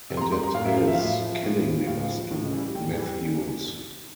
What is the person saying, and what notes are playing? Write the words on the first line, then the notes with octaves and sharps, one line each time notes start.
And it is killing we must do, Matthews.
C3
C6
A#5
G3 C6
A#5
A2 F5
E5
F3 F5
E5
F5
A2 E5
F3
A2
F3
A2 F5
F3
A2
E3 G3
A2 G5
E3 G3